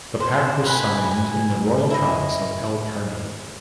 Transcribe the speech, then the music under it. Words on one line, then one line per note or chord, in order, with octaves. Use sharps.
The pact was signed in the Royal Palace of El Pardo.
C5
B4 G#5
G#5
E4 D#5